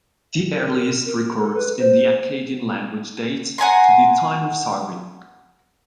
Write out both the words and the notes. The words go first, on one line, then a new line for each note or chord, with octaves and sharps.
The earliest records in the Akkadian language date to the time of Sargon.
A#4
A#4
A4
B4
C5
F#5 G#5 A#5 C6